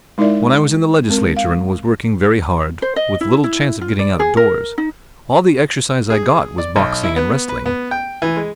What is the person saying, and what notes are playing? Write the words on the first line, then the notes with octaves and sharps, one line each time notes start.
When I was in the Legislature and was working very hard, with little chance of getting out of doors, all the exercise I got was boxing and wrestling.
G#3 D#4 E4 A#4 D5 E5
G#3 C4 A#4
F5
C5
D#5
E4
E4
F4
D5
G#4
A#4
D#4
G#4
D5
B1
E4
B3
B4
B3
G5
E3
G#3